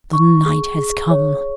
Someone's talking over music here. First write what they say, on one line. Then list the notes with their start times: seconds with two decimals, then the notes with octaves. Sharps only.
The night has come!
0.13 C#6
0.46 G#4
0.78 G#4
1.11 C#5